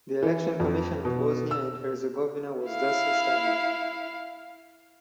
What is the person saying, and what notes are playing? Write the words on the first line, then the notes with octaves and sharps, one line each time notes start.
The Election Commission of Bosnia and Herzegovina was thus established.
E3
F2
B2
E6
E4 F5